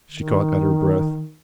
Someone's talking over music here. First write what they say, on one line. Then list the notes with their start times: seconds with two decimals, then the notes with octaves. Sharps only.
She caught at her breath.
0.12 D#3